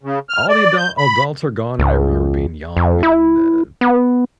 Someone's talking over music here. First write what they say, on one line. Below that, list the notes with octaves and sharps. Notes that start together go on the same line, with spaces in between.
all the adult adults are gone, and I remember being young, and, uh,
C#3
F6
D5
G6
B5
C#2
F2
E4
B3